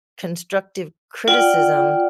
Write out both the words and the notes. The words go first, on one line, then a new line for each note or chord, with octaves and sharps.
constructive criticism
F4 D5 F#5 G5